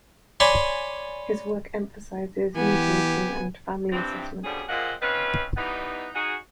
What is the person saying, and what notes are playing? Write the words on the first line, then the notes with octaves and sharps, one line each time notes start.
His work emphasizes mediation and family assessment.
C#5 D5 G#5 B5 C6
E3 B3 G4 G#5
G2 E3 C4
B2 D3 F3 G3 C#4 G#4
A#2 G#3 A#3 C4 D#5 F#5
C4 C#4 D#4 F4 B4
E3 G3 B3 D#4
D#4 F#4 G#4